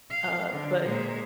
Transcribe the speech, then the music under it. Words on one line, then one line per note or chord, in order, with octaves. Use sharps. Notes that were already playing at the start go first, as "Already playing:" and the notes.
Uh, but
F5
D3
A#2 G#3